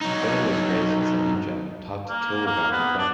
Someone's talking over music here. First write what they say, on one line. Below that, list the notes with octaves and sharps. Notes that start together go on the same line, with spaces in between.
Doe was raised as a ninja, taught to kill without regret.
F#3 D#4
A#3
A#3
B3
D4